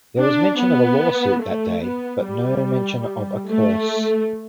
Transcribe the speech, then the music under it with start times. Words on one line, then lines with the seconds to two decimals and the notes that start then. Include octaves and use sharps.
There was mention of a lawsuit that day, but no mention of a curse.
0.18 D4
0.59 B3
1.42 A3
1.83 B3
2.24 G3
3.49 A3